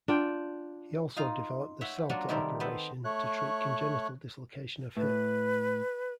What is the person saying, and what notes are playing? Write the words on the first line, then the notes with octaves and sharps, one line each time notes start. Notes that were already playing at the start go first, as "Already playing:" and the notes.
He also developed the Salter operation to treat congenital dislocation of hip.
D4 F4 G5
D#4 F4 F5 G#5 A#5
C#5 E5 F#5 G5
F#3 A#3 D4 F4 F#4
C3 D#3 G3 C4 A4 A#4
B3 C4 A4 B4
A3 C#5 F#6
A2 B4